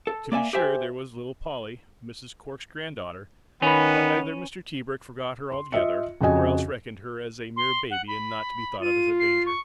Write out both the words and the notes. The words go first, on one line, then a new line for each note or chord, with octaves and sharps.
To be sure there was little Polly, Mrs. Cork's granddaughter, but either Mr. Tebrick forgot her altogether, or else reckoned her as a mere baby and not to be thought of as a danger.
A4
A#3 D5 E5 G#5
G4 C5 E5 G5 G#5
D#3 B3 C#4 B4
C6
F4 D#5 E5 C#7
F2 C#3 F#4 D#5 G#5
C6
F#5
B5
F4 D#7
C7
C#6